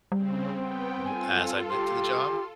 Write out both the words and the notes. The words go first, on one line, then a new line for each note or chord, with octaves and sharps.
w as I went to the job.
C#3 G3 C4
B3 C4 G5
F4 A4 G#5
G4 C6